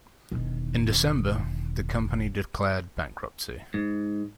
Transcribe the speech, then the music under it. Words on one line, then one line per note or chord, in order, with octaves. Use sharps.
In December, the company declared bankruptcy.
E1 D#3
G#2